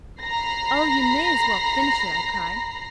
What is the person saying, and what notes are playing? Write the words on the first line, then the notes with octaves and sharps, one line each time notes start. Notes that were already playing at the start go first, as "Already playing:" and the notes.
"Oh, you may as well finish it!" I cried.
A#5 B5 A#6 C7